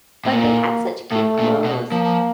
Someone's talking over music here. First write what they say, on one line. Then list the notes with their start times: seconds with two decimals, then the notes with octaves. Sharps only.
But they had such cute clothes.
0.25 A2
0.32 A#2 A#3
1.11 A2 A3
1.39 A#2
1.65 B2
1.91 F3 A#3